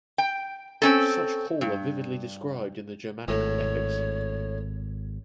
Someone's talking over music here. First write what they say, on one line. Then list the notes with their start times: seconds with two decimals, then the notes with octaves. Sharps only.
Such hall are vividly described in the Germanic epics.
0.18 G5
0.82 C4 C#4 A4
1.61 G2
3.28 G#1 A2 C#5